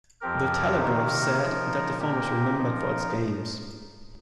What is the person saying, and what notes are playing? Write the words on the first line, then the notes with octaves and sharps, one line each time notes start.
"The Telegraph" said that the phone was remembered for its games.
F2 F3 C4 G4 A#4
C3 D#3 A#3 D#4 A#4
F3 D#4 A#4
A#2 A#3 G4 A#4
F3 D#4 A#4